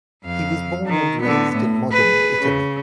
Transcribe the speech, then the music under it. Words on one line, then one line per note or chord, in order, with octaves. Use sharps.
He was born and raised in Modena, Italy.
F2 F5
D#3
D3 B3
A2
G#4 B4
C#3